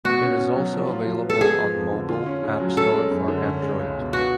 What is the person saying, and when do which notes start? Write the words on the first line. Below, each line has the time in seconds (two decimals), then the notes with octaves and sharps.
It is also available on mobile App Store for Android.
0.05 B2 F#4
0.22 C#4
0.39 B2
0.56 F#3
0.73 F3
0.90 F4
1.07 F3
1.24 B3
1.30 A4
1.41 B3 G#4
1.58 F3
1.74 F2
1.92 D3
2.09 F4
2.26 C#4
2.43 C#3
2.60 F#3
2.77 C#4 A4
2.94 G#3
3.11 F#2
3.28 D3
3.45 C#4
3.63 G#3
3.79 C#2
3.97 B2
4.13 B3 F#4